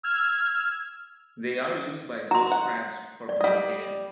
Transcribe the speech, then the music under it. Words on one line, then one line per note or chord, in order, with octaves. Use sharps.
They are used by ghost crabs for communication.
E6 F6 G#6
F#4 A#5 C6
F#5
D5
G3 D5 D#5 F5